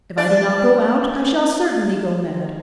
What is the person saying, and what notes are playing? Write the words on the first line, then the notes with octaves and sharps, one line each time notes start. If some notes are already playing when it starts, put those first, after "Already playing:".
If I do not go out, I shall certainly go mad.
D4 D5